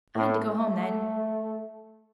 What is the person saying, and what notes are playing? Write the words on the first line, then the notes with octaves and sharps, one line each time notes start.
I had to go home then.
A2
A3